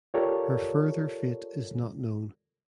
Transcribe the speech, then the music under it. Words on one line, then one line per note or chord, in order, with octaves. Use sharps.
Her further fate is not known.
F4 G4 A4 A#4 C#5 D5